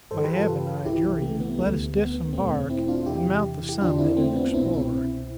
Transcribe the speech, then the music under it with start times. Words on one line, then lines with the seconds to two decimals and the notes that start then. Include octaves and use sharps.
By Heaven, I adjure you, let us disembark, and mount the summit and explore!
0.11 G2 E3 A4 C5
0.23 G4 B4
0.35 F4 A4
0.85 C2 C3 E3 E4 G4
1.22 A3
1.40 B3
1.58 D2 D3 A3
1.96 B3
2.33 E2 B2 A3 C4
2.70 C4 E4
2.88 D4 F4
3.06 E2 C3 E3 E4 G4
3.69 G4
3.80 E2 D3 D4 F4
3.98 C4 E4
4.17 A3 C4
4.36 B3 D4
4.54 C2 B2 C4 E4
4.72 C4 E4